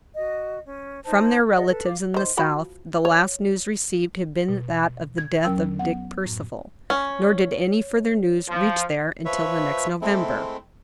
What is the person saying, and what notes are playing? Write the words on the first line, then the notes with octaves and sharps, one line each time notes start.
From their relatives in the South the last news received had been that of the death of Dick Percival, nor did any further news reach there until the next November.
F#4 D#5
C#4
D#4 C5 A5
G#4 D5 D#5 F#5
A4 B4
F5 D6
D#3 C5
F3 F#4 B5
C#5
B2
G#6
E2 F#3 C#4 A#4 G5 E6
B3 F#5
F#2 A2
C#4
F3
F3 B4 C#5 E5
G#3 A3 C4 E4